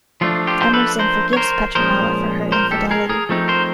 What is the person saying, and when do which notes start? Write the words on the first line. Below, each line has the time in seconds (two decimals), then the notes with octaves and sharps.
Emerson forgives Petronella for her infidelity.
0.21 F3 A3 D4 F4
0.47 F4 G4
0.62 C5
0.73 A4 B4
0.99 A#4 C5
1.33 C#5
1.37 A#4 C5
1.75 A#2 F3 G#3 C#4 A#4 C5
2.52 A#4 C5
2.71 G4 A4
2.91 G#4 A#4
3.09 G#4 A#4
3.29 F3 A3 C4 D#4
3.48 A#4 C5